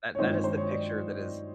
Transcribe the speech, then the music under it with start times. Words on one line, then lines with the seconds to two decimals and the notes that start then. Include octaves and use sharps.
that that is the picture that is
0.15 C#5
0.19 G2 D#3 G#3 C4 D#4 C5
0.31 C#5
0.44 C5
0.57 C#5
0.71 D5